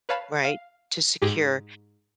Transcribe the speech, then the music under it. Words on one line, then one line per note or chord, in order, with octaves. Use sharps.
right, to secure,
B4 C#5 F5 A5 B5
F5
G#2 G4 G#4 D6 A#6